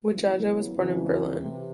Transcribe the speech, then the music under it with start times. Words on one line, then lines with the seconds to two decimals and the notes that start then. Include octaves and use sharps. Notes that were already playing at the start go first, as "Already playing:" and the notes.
Widjaja was born in Berlin.
0.11 D#2 C#3 F#3 B3 E4
0.75 F2 C#3 E3
1.39 C3 E3